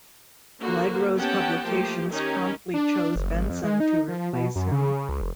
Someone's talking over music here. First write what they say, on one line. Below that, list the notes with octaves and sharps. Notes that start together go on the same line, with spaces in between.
Glidrose Publications promptly chose Benson to replace him.
D3 A#3 F#4 C5
B3 C#4 G4 F#5 G5 A5
F3 A3 A#3 G4
D#3 A#3 C#4 D#4 G4 C#5
D4
F#1
G#1
F2
G#3
D#4
F3
B2
F#2
C#3
C#2
F1